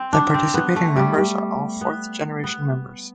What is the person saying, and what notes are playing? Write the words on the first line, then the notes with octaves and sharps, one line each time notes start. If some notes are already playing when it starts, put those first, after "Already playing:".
The participating members are all fourth generation members.
Already playing: C4
D4
C4
B3
A3
G3
G3
B3
B3